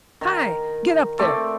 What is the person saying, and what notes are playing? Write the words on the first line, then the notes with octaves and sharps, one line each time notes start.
Hi! Get up there!
D#3
A3 C4 D5